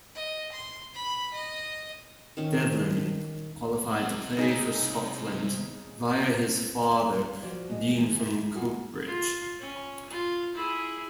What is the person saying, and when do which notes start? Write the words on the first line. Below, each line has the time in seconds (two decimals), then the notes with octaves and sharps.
Devlin qualified to play for Scotland via his father being from Coatbridge.
0.15 D#5
0.52 C6
0.94 B5
1.33 D#5
2.37 D#3 C#4
3.99 C3 E4
4.37 C#3 D#4 G#4
7.42 F3 F#4 C5 D5
7.70 G#3
7.97 C3 E3 G#4
8.27 E4
8.55 G#3 F4 F#4 G#4
9.07 F4
9.60 C#4
10.10 F4
10.55 E4 G#4